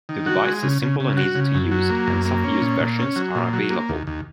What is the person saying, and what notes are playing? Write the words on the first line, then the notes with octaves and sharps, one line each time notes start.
The device is simple and easy to use and self-use versions are available.
D#3
F#4
G#3
C#3
C#3
C#3
F#4
C#3
F#2
F#3
A#3
F#2
A#3
C#4
A#2
A#2
C#4
F#3
A#2
F#3
A#3
D#2
D#2